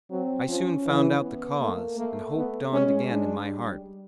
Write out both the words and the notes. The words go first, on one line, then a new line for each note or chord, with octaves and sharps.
I soon found out the cause, and hope dawned again in my heart.
F#3 C4
F3 C#4
E3
B3
A3 A#3
A3 A#3
B3
G#3 C#4
D4
G3